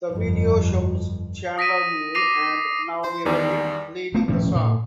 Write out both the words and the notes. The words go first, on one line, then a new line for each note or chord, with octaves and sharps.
The video shows Chandler Moore and Naomi Raine leading the song.
G1 F2
D#6 A#6 B6 D7 D#7
D6 A#6 C7 D#7 F7
C5
E2 D#3 G3
A3 B3
D#1 A2 F3 C#4
A2